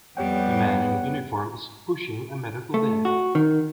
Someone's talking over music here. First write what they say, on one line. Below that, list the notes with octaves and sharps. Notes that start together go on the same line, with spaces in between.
A man in uniform is pushing a medical bed.
F2 G3 B3 G4 C#5 F#5 G5
A3
F#4
D#3